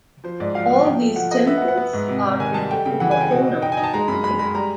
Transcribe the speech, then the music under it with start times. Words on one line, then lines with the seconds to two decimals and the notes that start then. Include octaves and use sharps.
All these temples are in Kumbakonam.
0.24 F3 C5
0.40 G#2 D5
0.54 F3 F5
0.70 F3 F#5
0.85 F3 G5
1.01 A3
1.16 F3 F#5
1.31 A3 D#5
1.47 B3 E5
1.58 F#5
1.62 B3
1.68 F#5
1.77 B3
1.93 G#2
2.08 C3
2.25 C3
2.39 D#3 G#5
2.54 G3 A5
2.71 A3 G5
2.85 C#3 G5
3.00 E3 F#5
3.11 G#5
3.17 C#3 G5
3.31 B2 F#5
3.48 B2
3.62 D#4 G5
3.72 G#5
3.77 D#4
3.83 A5
3.94 G#3 A#5
4.08 F#2 B5
4.24 G#3 B5
4.39 G#3 B5
4.55 G3 A#5